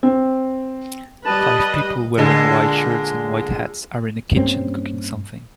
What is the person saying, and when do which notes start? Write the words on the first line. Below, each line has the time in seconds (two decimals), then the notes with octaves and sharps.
Five people wearing white shirts and white hats are in a kitchen cooking something.
0.03 C4
1.26 G3 B4 D#5 A5
2.18 A#2 D3 G#3
4.36 G2 A#3 C4 C#4